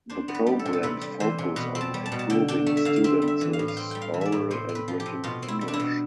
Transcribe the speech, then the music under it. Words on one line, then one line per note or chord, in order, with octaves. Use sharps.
The programs focus on improving students' oral and written English.
D4 C5
B3
B4
G3
A4
C3
A4
C3 B4
G3
E3 C5
C3
B2 B4
C4
A5
G3
A5
B2
A5
D3 G5
D4 G5
A3
E5
D3 F5
F5
C4 E5
G3
E5
E3
F5
A2
F5
C4 G5
G3 G5
F5
E3
D5 E5
A2
C3 C5
C4
B4
F3
G4
C3
B2 F4
C4
E4
G3
D4
E4
B2